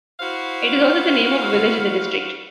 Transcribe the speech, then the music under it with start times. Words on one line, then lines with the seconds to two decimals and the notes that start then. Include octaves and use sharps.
It is also the name of a village in the district.
0.20 E4 F#4 C5 F5